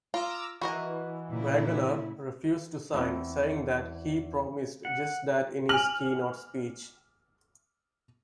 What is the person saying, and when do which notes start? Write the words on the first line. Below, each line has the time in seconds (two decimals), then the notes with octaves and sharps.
Wagoner refused to sign, saying that he promised just that in his keynote speech.
0.14 F4 A#5 D6 E6
0.61 E3 F#4 A#4 D#5
1.32 A#2 C#3 E4
2.94 E2 C4
4.85 F#5
5.69 G#5 A5 F6 F#7